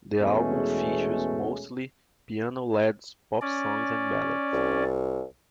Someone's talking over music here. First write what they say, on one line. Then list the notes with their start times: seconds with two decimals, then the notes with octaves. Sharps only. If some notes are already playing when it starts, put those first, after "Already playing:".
The album features mostly piano-led pop songs and ballads.
0.19 E2 B2 G#3 A3 C#4 G#4
3.41 C#4 D5
4.53 C2